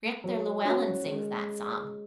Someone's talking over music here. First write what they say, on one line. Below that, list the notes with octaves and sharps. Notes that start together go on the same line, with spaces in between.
Gran'ther Llewellen sings that song.
F#3
C#4 F#4
G#3